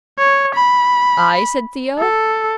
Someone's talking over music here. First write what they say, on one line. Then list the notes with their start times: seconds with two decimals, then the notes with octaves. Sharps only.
"I?" said Theo.
0.18 C#5
0.54 B5
1.98 A4